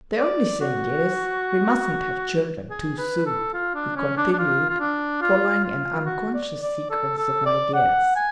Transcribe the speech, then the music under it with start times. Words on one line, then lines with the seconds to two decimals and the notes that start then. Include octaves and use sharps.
"The only thing is, we mustn't have children too soon," he continued, following an unconscious sequence of ideas.
0.19 D5
0.61 F#4
2.71 G#4
2.98 B4
3.26 A4
3.54 F4
3.75 D4
3.96 C#4
4.17 D4
4.33 D4
4.39 F4
4.69 F4
4.80 D4
5.22 F4
5.64 F4
6.06 F#4
6.34 D5
6.62 D5
6.90 A4
7.18 A4
7.46 D5
7.74 F#5
8.16 G#5